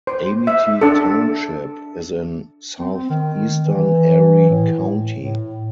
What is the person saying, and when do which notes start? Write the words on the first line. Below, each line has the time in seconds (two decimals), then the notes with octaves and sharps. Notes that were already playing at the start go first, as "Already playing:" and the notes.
Amity Township is in southeastern Erie County.
0.07 C5
0.47 E5
0.81 D4 A4
2.79 C4
3.10 D#3
3.63 E3
4.50 A2
5.18 A2